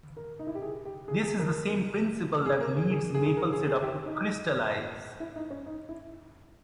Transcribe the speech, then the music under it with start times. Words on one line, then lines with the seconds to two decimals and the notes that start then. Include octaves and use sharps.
This is the same principle that leads maple syrup to crystallize.
0.17 A#4
0.39 D#4
0.47 E4
0.55 G4
0.62 G#4
0.85 G4
1.08 G#4
1.23 G#4
1.39 A#4
2.46 G#4
2.61 A#4
2.76 G#4
2.92 G#4
3.14 G#4
3.26 G#4
3.37 A#4
3.52 G#4
3.68 G#4
3.83 G4
4.06 D#4
5.20 E4
5.36 D#4
5.51 C#4
5.66 D#4
5.89 E4